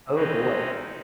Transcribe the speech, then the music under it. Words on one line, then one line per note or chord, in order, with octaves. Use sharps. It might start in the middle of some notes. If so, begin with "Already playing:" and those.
Oh boy.
C4 C#4 D#4 B4